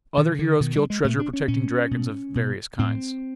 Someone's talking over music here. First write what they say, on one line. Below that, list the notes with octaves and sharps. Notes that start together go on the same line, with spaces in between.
Other heroes kill treasure-protecting dragons of various kinds.
B2 D#3
D3
B2 D#3
G3
G#3
A#2 A3
D4
C#4
A#2 C#4
B2
B2
A2 C4